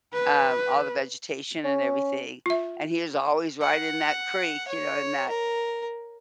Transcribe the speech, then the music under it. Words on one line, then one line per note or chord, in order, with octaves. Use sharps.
um, all the vegetation and everything, and he was always right in that creek, you know, in that
B4
C#4
F4 E5
F#5
C#5
A#4